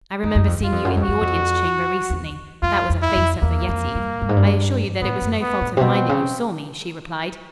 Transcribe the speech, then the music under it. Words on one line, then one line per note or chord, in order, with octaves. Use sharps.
'I remember seeing you in the audience chamber recently.' That was a facer for Yetive. 'I assure you that it was no fault of mine that you saw me,' she replied.
F2 D#4
F#2
F2
F#2 F4
F2
F#2
F2
F#4
F#2
F2
E2
F2 F4
F2
E4
F2
E2 A#3
F2
G2
G2
G#2
G2
A2 B3
F#2
B3
A2
C3
B2 C4
C#3